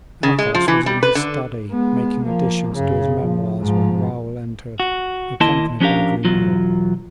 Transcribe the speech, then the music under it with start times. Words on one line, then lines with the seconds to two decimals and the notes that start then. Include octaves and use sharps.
Athos was in his study, making additions to his memoirs, when Raoul entered, accompanied by Grimaud.
0.23 C#3
0.39 G#3
0.55 F3
0.68 E3
0.86 G3
1.03 B4
1.15 D3
1.70 G#3 B3
2.24 F3 A#3
2.73 F#2 C#3
3.18 F3
3.59 G#2 F3
4.80 F#4
5.40 D#2 A#3 E4 D#5 A5 C6
5.80 F3 C#4 D4 G4 A#4 F5
6.25 B1 E2 F#3 F4